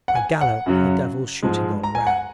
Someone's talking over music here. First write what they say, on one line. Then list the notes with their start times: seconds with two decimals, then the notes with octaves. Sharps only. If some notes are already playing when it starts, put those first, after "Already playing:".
I gallop, the devils shooting all around.
0.08 F#5
0.15 G#5
0.41 F#5
0.66 F#2 C#3 F#3
1.42 G#2 F3 G#3
1.84 A#5
1.95 G#5
2.07 F#5